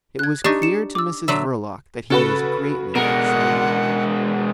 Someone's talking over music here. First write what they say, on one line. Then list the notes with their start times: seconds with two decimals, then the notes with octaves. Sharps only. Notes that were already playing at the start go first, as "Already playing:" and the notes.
It was clear to Mrs Verloc that he was greatly excited.
0.19 F#6 G#6
0.44 D4 D#4 G4 C#6
0.62 C#7 E7
0.95 D6 E6
1.28 D3 F#3 E5
2.10 C#3 F#4 A4 B4
2.95 B2 G#3 A#4 F#5